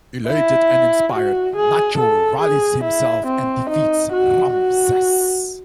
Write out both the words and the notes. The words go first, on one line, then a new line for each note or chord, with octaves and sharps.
Elated and inspired, Nacho rallies himself and defeats Ramses.
E4
F#4
G#4
A4
G#4
E4
C4
D#4
F#4
F#4